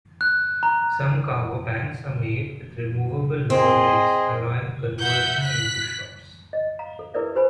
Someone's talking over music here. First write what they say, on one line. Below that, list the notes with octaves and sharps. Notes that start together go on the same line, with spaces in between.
Some cargo pants are made with removable lower legs allowing conversion into shorts.
F#6
A#5
C4 G#4 D#5 C6
E5 F#5 G6
F#6 B6
D#5
F5 A#5
A4
E4 G#4 A#4 B4 D5 E5
G4 B4 C5 G#5 B5